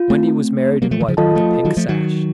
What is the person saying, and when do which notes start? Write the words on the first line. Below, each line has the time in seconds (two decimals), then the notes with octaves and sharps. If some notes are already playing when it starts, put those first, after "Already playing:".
Wendy was married in white with a pink sash.
Already playing: F4
0.10 A3 C4
0.82 F#3 A#3
0.91 F3 A3
1.00 D#3 F#3
1.08 C#3 F3
1.17 D#3 F#3 F4 A4 D#5 A5
1.35 F3 A3
1.65 D#3 F#3
1.77 F3 A3
1.89 D#3 F#3